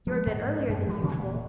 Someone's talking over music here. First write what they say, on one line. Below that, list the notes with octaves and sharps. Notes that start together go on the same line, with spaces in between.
"You're a bit earlier than usual."
F3 F#3 G#3
G#2
F#2
G2 E3 G#3
C3 D#3 G3 C4
E1 A#2